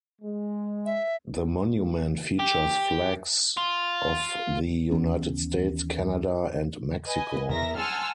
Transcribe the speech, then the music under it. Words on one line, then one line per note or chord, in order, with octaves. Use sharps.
The monument features flags of the United States, Canada, and Mexico.
G#3
E5
G4
F4
D#2 E3 B3 C#4
B4 D#5 G#5
E2 A#4 E5 A#6
F#5 G#5 A5 C6 E6 F6